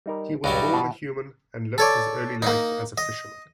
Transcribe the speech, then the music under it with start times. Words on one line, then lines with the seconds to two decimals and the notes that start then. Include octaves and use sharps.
He was born a human and lived his early life as a fisherman.
0.06 G3 D#4 A#4
0.44 C#2 G2 F#3 G3
0.61 E4 A5
0.73 B2
1.78 A4 C#5 D5
2.42 A#3 D#4
2.98 D#5